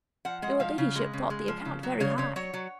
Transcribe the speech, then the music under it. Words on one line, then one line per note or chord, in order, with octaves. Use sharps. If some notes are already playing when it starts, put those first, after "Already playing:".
"Your ladyship thought the account very high."
F3 F#5
G#3 F#5
F3 F5
C#3
G#3
C#3
G#3
F3
C#3
F#3
C#3 C#5
C#3 C#5
F#3 C#5
F#3